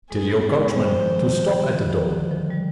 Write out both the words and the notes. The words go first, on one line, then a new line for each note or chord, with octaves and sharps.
"Tell your coachman to stop at the door."
G#3 G#4
B3
G#3
G3 C5
F3
D#3
D3
D#3
F3
D#3
D3
F3
G3